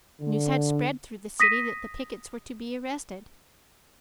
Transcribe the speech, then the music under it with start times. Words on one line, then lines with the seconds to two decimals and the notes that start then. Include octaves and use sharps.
News had spread through the city that the pickets were to be arrested.
0.21 D3
1.40 D#6 A#6 B6 D#7